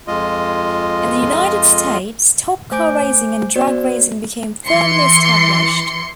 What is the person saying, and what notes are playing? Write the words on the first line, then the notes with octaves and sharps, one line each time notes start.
In the United States, stock car racing and drag racing became firmly established.
F2 G#3 F4 D#5
A3 C5 G#5 D6 G6 D7
B3 F#4 C5 D5
E3 C6 C#7